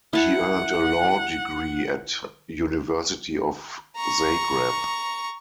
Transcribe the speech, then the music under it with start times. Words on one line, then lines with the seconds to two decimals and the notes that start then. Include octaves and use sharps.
He earned a law degree at University of Zagreb.
0.13 E4 F#5 A5
3.96 A#5 C#6